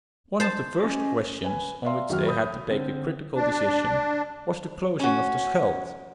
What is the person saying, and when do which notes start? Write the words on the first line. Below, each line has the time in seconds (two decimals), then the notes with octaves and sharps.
One of the first questions on which they had to take a critical decision was the closing of the Scheldt.
0.40 C5 A5
0.80 C#4 D#5 D6
1.44 B4 G#5
1.85 D5 E5 F5 A#5 C6
2.09 F#2 D#3 F#3 F#4 F6
2.27 B5 D#6 G6
2.70 D3 C4
3.36 D4
5.00 C#4 F#4